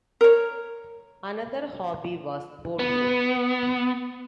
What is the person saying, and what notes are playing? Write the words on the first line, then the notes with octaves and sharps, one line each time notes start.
Another hobby was boating.
A#4 C#5
B3